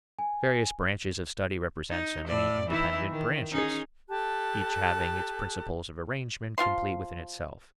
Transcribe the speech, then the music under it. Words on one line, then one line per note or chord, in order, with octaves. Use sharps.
Various branches of study represent so many independent branches, each having its principles of arrangement complete within itself.
G#5
D#4
A2 D5
E3 D#4 E4
D#3
C#4 D#4 G#4
G4 A4 A5 F#6
F3 F4 F5 C6